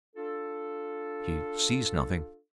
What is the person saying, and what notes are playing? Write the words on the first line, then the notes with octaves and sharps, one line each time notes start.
She sees nothing.
D4 F4 A4